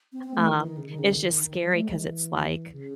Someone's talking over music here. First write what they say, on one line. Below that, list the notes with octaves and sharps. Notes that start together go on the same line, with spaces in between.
um, it's just scary 'cause it's, like,
C4
C4
A3
E3
E3
D#3
C#3
D#3
C#3
D#3
D#3
E3
F#3
A3
G#3
E3
C#3